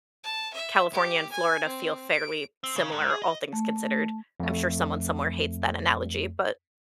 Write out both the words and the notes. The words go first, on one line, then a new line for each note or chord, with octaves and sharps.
California and Florida feel fairly similar, all things considered. I'm sure someone somewhere hates that analogy, but,
A5
E5
G4
G#5
C4
D7
C4
C#3
G#2
G#4
D#5
A3
F2 A3